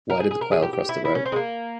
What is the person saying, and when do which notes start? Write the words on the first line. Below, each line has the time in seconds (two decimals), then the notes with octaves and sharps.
Why did the quail cross the road?
0.10 A#4
0.20 G#4
0.31 G#4
0.41 A#4
0.52 G#4
0.63 G4
0.73 G4
0.89 E4
1.05 E4
1.15 C#4
1.26 C4
1.32 G#3
1.36 A#3